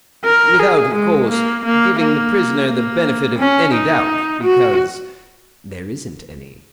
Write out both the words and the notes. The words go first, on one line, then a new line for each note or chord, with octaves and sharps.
Without, of course, giving the prisoner the benefit of any doubt, because there isn't any.'
A#4
G#4
G#3
A#3
A#3
A#3
A#3
C#4
D#4
F#4